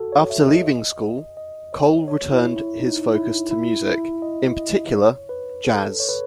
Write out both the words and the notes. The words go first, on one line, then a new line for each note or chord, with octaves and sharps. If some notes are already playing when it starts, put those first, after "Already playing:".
After leaving school, Cole returned his focus to music; in particular, jazz.
Already playing: F#4 A4
C#5
E5
D#5
D#5
C#5
C#5
E4
E4
D#4
E4
E4
E4
D#5
D#5
C#5
B4
A4
C#5
B4